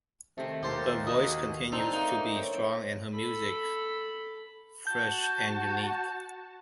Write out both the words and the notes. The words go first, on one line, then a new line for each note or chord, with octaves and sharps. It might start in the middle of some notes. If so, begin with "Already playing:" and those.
Her voice continues to be strong and her music fresh and unique.
C3 D#3 A3
D#2 G4 C5 A5
F#4 B4 D#5
C4 D4 D#4
A3 A#3 D#4
C5 C#5 G5
A4 B5
F#4 A5 G6